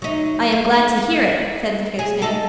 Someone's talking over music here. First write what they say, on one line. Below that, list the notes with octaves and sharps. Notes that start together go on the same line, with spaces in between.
'I am glad to hear it,' said the fierce man.
F#3 D#4
F5
G#4
D#4 A4